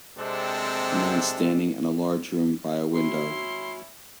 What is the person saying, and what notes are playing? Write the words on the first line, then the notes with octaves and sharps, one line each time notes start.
A man standing in a large room by a window.
C3 G#3 C4 D4 A4
C#4 E4 F#4 C6